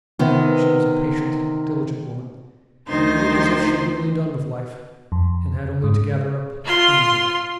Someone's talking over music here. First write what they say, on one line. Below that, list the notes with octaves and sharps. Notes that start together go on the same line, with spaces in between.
She was a patient diligent woman, who looked as if she had nearly done with life, and had only to gather up the crumbs of it.
C3 D#3 B3
D2 D#3 D#4 C5 C6
F2
G#2
F4 C6